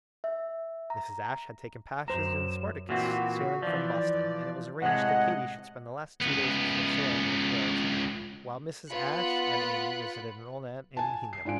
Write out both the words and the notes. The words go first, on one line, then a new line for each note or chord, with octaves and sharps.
Mrs. Ashe had taken passage in the "Spartacus," sailing from Boston; and it was arranged that Katy should spend the last two days before sailing, with Rose, while Mrs. Ashe and Amy visited an old aunt in Hingham.
E5
A#5
F#2 C5 A#5 E7
A#2 E3 C4 F#4
E3 F3 D5
A2 C3 G#3 D#5 F#5
C#2 B3
B3 F4 B5 F#6 C#7
G#5 A5
C7
G#2 D4 F4 G#5 D7